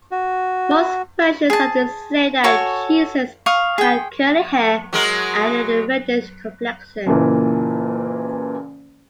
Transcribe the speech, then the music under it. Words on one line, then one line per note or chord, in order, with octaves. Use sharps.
Most versions of this say that "Jesus had curly hair and a reddish complexion".
F#4
G#4 A5
F#4 A4 C#5 G#5
F5 C#6 D#6
G#4 G5
F#3 G#3 A#4
F#1 A#2 E3